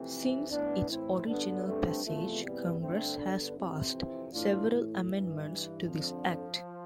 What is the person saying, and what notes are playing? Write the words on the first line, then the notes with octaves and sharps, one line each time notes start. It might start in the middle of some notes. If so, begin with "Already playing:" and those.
Since its original passage, Congress has passed several amendments to this act.
Already playing: F2 C3 E3 A3 C4
A2 E3 B3 D4
C4 E4
G2 D3 B3 D4
A3 C4
E2 C3 E3 F3 A3
G3 B3
G2 D3 A3 C4
B3 D4
F2 C3 E3 C4 E4
A2 E3 D4 F4
G2 E3
F2 D3 F3